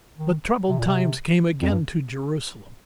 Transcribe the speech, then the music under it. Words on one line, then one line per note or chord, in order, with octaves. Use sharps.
But troubled times came again to Jerusalem.
D#3
C3
A#2
C3
F2
G2